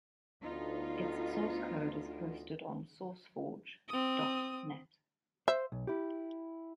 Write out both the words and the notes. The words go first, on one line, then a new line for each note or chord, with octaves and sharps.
Its source code is hosted on SourceForge dot net.
D2 B3 D#4 F4
C4 D#6
C5 E5
B1
E4 G4